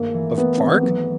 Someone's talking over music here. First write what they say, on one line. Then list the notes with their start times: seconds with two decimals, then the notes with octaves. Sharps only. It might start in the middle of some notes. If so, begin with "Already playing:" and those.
"Of park?"
Already playing: G#1 G2 A3 A#3
0.14 E3
0.38 A3 B3
0.58 G#1 C4
0.68 B3
0.83 F#3 B3